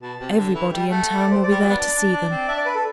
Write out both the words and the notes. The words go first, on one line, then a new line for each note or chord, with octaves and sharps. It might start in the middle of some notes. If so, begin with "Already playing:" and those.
Everybody in town will be there to see them.
B2 A5
C3
D3
E3 E5
G3 G5
A3 F#5
F#5
D5
C5
D5
G3
F#3
B3
D4
D4
D4
C4
D4 E5
D5
B4
A4